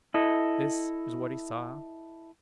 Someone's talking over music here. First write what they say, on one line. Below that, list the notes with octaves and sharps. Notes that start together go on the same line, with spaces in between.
This is what he saw.
E4 A4 D#5